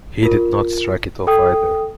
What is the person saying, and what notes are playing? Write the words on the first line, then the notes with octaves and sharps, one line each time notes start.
He did not strike it off, either.
F4 A#4
A4 G5 D#6